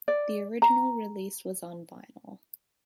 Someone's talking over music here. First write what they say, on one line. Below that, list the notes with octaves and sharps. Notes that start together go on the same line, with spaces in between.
The original release was on vinyl.
D5
A#5